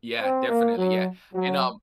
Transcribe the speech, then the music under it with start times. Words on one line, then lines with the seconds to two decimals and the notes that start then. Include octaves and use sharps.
Yeah, definitely, yeah, and, um
0.20 C4
0.49 A#3
0.77 F#3
1.34 F#3